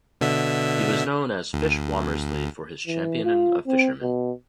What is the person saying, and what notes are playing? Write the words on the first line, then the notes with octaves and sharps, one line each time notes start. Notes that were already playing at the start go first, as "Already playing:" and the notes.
He was known as "Fish Womersley" for his championing of fishermen.
B2 D3 E5
D2
E3
F4
C4
B2